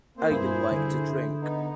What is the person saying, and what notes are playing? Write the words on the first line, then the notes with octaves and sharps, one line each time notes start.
I like to drink.
A#3 C4 C5
G2 E4 G#4 C5
D3
B3 D#4